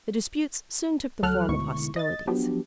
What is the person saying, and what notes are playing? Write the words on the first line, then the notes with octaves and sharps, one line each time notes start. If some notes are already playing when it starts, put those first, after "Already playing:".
The disputes soon took the form of hostilities.
D2 F#3 A4 F6 F#6
D2 G#2 B2 E4 C#6
D#5 A6
F3 F#3 B3 D4 G4